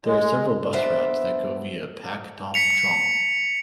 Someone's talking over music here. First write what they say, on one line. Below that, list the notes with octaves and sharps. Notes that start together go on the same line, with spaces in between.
There are several bus routes that go via Pak Tam Chung.
G#3
E2 B3 D4 A4 C5 E5
B6 C#7 F7